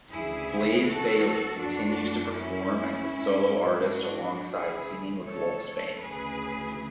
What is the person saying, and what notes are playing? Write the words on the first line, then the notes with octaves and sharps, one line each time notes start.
Blaze Bayley continues to perform as a solo artist alongside singing with Wolfsbane.
D2 C#3 E3 E4 G#4
F#4 A4
F#2 E3 D4 F#4
C#4 E4
G#2 E3
D4 F#4
D2 C#3 E3 E4 G#4
A4 C#5
D2 C#3 E3 G#4 B4